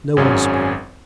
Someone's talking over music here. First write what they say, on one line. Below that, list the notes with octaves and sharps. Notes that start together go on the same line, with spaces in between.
No one spoke.
G#1 F#2 F#3 C#4 G#4